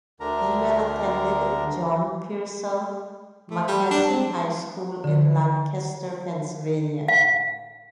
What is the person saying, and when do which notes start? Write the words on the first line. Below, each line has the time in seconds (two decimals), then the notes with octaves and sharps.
Ewell attended John Piersol McCaskey High School in Lancaster, Pennsylvania.
0.20 D2 D3 D4 A#4 A#5
3.51 A3
3.68 G3
3.91 D4
4.08 C4
5.04 D3
7.08 F5